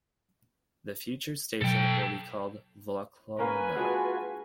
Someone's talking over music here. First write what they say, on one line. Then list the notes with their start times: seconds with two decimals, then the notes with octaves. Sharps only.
The future station will be called Volkhonka.
1.62 B2 F#3 A4 G5
3.39 A#3 C#4 A#4 B4 G#5
3.76 G#3 D4 F4 F#4